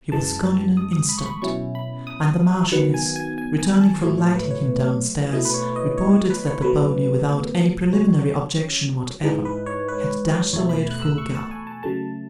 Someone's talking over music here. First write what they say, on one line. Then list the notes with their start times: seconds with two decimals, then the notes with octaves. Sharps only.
He was gone in an instant; and the Marchioness, returning from lighting him down-stairs, reported that the pony, without any preliminary objection whatever, had dashed away at full gallop.
0.12 F#2 C#3 E3 G#3 A5
0.77 D#6
0.93 D#6
1.09 B5
1.18 C#6
1.26 B5
1.42 B2 F#3 C#4 E4 C#6
1.75 B5
2.07 D#6
2.72 D#3 F#3 B3 F#5
2.94 G#5
3.16 G#5
3.38 G#5
3.59 G#5
3.81 A5
4.03 A2 F#3 A3 E4 C#5
4.18 C#5
4.35 B4
4.51 C#5
5.33 B2 A3 E4 D#5
5.45 B4
5.54 C#5
5.76 D#5
5.98 C#5
6.30 B4
6.47 C#5
6.62 B2 F#3 A3 B4
7.93 C#3 F#3 C#4 C#5
9.23 G#2 E3 G#3 D#4
9.45 B4
9.66 C#5
9.88 B4
10.53 E2 B2 A3 C#5
10.69 B5
10.91 F#6
11.02 E6
11.18 C#6
11.35 A5
11.51 G#5
11.67 A5
11.83 C#3 F#3 A3 A5